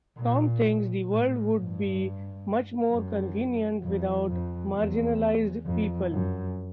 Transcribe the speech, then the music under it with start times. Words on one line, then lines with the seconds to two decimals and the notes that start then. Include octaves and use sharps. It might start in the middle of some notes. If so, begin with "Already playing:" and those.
Tom thinks the world would be much more convenient without marginalized people.
0.17 A#2
1.08 A2
1.53 G2
2.91 F#2
3.83 F2
4.28 F2
4.75 E2
5.66 F2
6.11 F#2